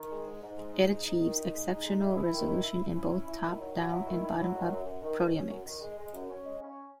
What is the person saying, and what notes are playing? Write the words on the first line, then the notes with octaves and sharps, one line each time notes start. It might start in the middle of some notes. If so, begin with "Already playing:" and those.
It achieves exceptional resolution in both top-down and bottom-up proteomics.
Already playing: D#3
G#3
G#2
G#2
G#3
D#4
G#2
D#4
D#3
D#4
G#3
D#4
G#3
E4
E4
D#3
E4
E4
E4
C#4
E4
E4
D#3
F#3
F#3
E4
D#3
E4
F#3
D#3
F#2
F#2
D#3
D#3
C#4
F#2
D#3
G#3
G#3
F#2
C#4
G#3
C#4